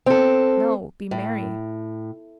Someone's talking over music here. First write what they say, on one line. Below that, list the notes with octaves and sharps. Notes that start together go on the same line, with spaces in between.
No, be merry.
C4 A4
A2